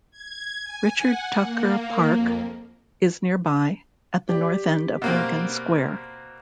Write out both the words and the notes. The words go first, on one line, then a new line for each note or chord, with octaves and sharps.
Richard Tucker Park is nearby, at the north end of Lincoln Square.
G#6
G#5
F#5
A#3
F2
G4 D5
B2 A#3 C4